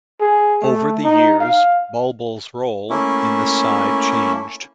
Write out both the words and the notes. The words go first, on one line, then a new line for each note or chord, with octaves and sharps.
Over the years Bulbul's role in the side changed.
G#4
A3
D#4
F5
A3 A#3 C#4 E4